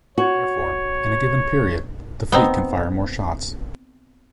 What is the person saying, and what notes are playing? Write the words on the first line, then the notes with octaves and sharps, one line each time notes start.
Therefore, in a given period, the fleet can fire more shots.
F#4 C#5
B3 C4 D#4